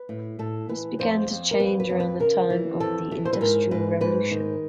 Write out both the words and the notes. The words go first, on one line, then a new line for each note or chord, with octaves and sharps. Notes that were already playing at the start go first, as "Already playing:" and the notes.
This began to change around the time of the Industrial Revolution.
Already playing: B4
A2
A2 A4
E3 B4
F2 C5
F2
A#4
F2 B4
B4
F2
B4
C#3 A#4
E3
F2 A4
E3
C5
B4
G#2 A#4
G#2 B4
G#2 B4
D#3